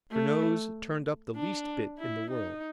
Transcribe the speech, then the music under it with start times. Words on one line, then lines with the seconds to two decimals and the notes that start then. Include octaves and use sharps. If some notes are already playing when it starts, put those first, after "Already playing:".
Her nose turned up the least bit in the world.
0.11 A3
1.36 D4
1.99 E4
2.31 D#4